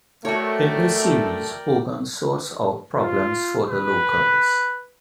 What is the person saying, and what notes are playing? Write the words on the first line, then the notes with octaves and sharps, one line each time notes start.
In the series Hogan sorts out problems for the locals.
A3 F#4 A#4 C#5 D5 G5
F4
B4